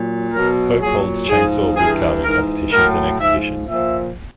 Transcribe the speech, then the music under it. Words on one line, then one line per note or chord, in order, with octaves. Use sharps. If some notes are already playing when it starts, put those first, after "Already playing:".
Hope holds chainsaw wood carving competitions and exhibitions.
Already playing: A#2 F#3
B2 F#3 A#4
A#2 F#3 G#4
G#2 F3 G#4
G2 E3 G#4
G#2 E3 A#4
A2 F#3 A#4
G#2 F3 E5
A#2 F3 E5